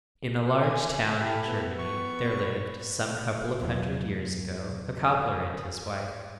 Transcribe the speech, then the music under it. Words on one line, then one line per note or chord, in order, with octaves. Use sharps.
In a large town in Germany there lived, some couple of hundred years ago, a cobbler and his wife.
G#5
E4 G4 A4 E5
B3
C#6
E2 F#3